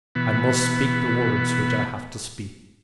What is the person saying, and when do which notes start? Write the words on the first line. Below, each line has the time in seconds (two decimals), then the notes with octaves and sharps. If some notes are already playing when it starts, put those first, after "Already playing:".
I must speak the words which I have to speak.
0.15 B2 E3 B3